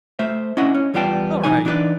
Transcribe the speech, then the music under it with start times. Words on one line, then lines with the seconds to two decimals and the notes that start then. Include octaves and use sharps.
"All right."
0.19 A3 C5 E5
0.57 C#4 D4 E4 D#5 F#5
0.75 C#4
0.94 E2 G3 B3 F4 G5 A5
1.44 B1 E3 F3 A#3 D#4 G#5
1.65 E3 D4 D#4 F#4 B4 D5